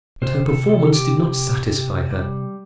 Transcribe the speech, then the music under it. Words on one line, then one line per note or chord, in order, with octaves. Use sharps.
But her performance did not satisfy her.
C3 C5
A4
C3 A4
A4
G4
C3
C3
G3